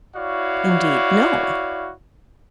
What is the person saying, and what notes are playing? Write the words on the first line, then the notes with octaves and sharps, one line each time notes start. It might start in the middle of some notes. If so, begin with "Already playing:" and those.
"Indeed no."
E4 F#4 C#5 D5 F5